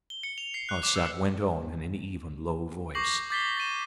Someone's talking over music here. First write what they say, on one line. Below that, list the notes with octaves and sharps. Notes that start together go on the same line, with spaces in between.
Arsat went on in an even, low voice.
G7
C#7
F7
C7
F#6
D6
E6
C#6 D6 G6 A#6 C7 F#7
D6 G6 A6 B6 C7 G7
A6 A#6 D#7 E7